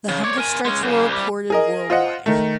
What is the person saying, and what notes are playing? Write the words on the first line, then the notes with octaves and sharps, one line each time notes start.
The hunger strikes were reported worldwide.
C#3
C#5 D5
A#4 G#5
G#3 C#4
F#2 C#3
C2 G3
G#4 A#4 D#5
F4 C5 D#5 F#5
D#3 A3